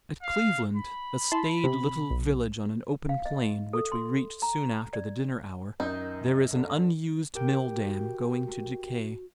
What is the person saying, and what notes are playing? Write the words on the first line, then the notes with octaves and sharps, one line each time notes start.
At Cleveland, a staid little village on an open plain, which we reached soon after the dinner-hour, there is an unused mill-dam going to decay.
F5
B5
E4 A5 C6
C3
B1
F5
D#5
A4
C6
A#5
D5
F#2 D#3 D#4 G6
D3
G4 A#4 G5
F#4